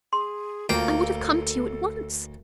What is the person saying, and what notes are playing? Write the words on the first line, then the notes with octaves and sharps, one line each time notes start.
I would have come to you at once.
G#4 C6
D2 A#3 F4 G5
A4